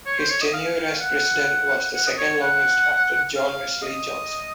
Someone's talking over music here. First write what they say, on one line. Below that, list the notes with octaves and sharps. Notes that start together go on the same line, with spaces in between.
His tenure as president was the second-longest after John Wesley Johnson.
C#5
C5
C#5
D#5
F5
F#5
F#5
D#5
C#5
C#5
F#5
F5
D#5